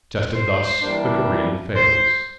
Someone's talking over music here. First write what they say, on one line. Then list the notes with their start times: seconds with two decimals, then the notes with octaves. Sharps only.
Tested thus, the Korean fails.
0.34 C5
0.81 E3 G3 A#3 D4
1.75 C5